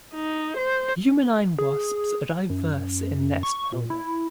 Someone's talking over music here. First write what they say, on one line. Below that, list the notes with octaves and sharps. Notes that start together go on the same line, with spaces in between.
Eumenine wasps are diverse in nest building.
D#4
C5
G#4
F#2
C#6
A#2
E4